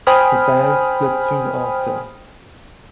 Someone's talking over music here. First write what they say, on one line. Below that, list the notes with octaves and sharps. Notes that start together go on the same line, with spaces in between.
The band split soon after.
C5 G5 G#5 B5 D#6 F6